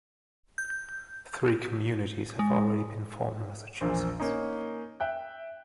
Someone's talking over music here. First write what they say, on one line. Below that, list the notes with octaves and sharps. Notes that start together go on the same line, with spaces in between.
Three communities have already been formed in Massachusetts.
G6
G#3
A#1 E2 A#2 C5
A#3 C#4 D#4
E5 G5 F#6